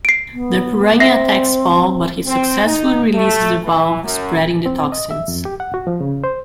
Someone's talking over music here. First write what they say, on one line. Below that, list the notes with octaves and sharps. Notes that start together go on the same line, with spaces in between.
The piranha attacks Paul but he successfully releases the valve, spreading the toxins.
C7 D7
B3
C4 E5 A#6 C7
C4
D#4
A3
E3
F#2
C4
D#5
E5
F2
G4
F#5
F#4
F3
C#3
C5